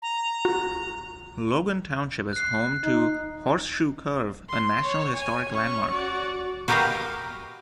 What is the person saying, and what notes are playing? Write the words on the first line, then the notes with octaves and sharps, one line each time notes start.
Logan Township is home to Horseshoe Curve, a National Historic Landmark.
A#5
F#4
F#6 C7
D#4
C6
C#5
G#5
C#4 C#6
F#4 D5
F#4 G4 A#4 B4 D#5 F5